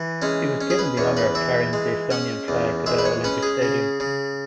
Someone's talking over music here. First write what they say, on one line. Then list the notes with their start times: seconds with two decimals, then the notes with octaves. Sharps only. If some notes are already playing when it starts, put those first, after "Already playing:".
He was given the honor of carrying the Estonian flag to the Olympic stadium.
Already playing: E3
0.22 G#3 C#4
0.61 C#4
0.70 G#4
0.79 B4
0.97 E2 C#5
1.17 B4
1.35 E3 E5
1.73 G#3
2.11 C#4 F#5
2.48 E2
2.86 G#3 E5
2.99 B4
3.05 C#5
3.24 C#4 B4
3.43 G#4
3.62 C#3
4.00 C#3